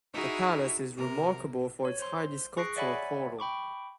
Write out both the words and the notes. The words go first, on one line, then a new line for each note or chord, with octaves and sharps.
The palace is remarkable for its highly sculptural portal.
D#4 E4 F#4 G#4 A#4 E5
C3 A#4
C#5
C5 C6
G#4 C#6 F#6 A#6 C7 D7
C#5 D5 E5 F#5 G#5 B5
G5 B5 C#6 D6